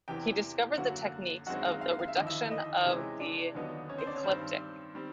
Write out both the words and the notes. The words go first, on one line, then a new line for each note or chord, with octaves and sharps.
He discovered the techniques of 'the reduction of the ecliptic'.
E2 C3 E3 G4 G5
F#2 D3 F#3 A#3 F#4 F#5
F#2 D#3 G#3 C4 F#4 F#5
F4 F5
F4 F5
F5
E5
D#2 D3 F3 D#5
E4 E5
D#4 D#5
C3 E3 G#3 C#4
D4 D5
D#2 D3 F#3 B3 D#4
C#4 C#5
C4 C5
D4 D5
C#4 C#5
G2 D#3 G3 C4 C5
D#3 G3 C4